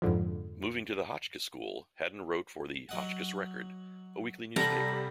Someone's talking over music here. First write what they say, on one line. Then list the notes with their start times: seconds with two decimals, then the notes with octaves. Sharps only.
Moving to the Hotchkiss School, Hadden wrote for the "Hotchkiss Record", a weekly newspaper.
0.02 F2 G#2 D3 F3
2.89 F#3 D#5 F#5
4.56 C3 G3 A4 F#5 A#5 B5